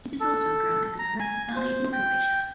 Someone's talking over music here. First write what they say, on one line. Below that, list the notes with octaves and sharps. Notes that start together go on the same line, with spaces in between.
It is also grown in the Neretva valley in Croatia.
A4
A#5
G#5
C5
G5